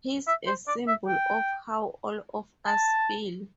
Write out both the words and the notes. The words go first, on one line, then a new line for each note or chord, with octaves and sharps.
He's a symbol of how all of us feel.
E5
C5
D5
E5
G5
A5